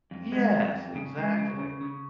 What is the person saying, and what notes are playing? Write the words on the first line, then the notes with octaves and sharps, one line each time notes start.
Yes, exactly.
F2
G#3
F2
F2
C#3
G#3
C#3
C#3
C#3